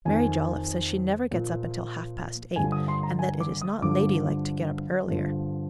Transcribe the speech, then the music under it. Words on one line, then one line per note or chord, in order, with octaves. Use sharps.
Mary Jolliffe says she never gets up until half-past eight, and that it is not lady-like to get up earlier.
F2 D#3 G#5
A#2 F3
G2 D3 F3 G#5
D#6
C6
A#5
G#5
D6
D#6
G2 D3 F3 D6
G2 D3 F3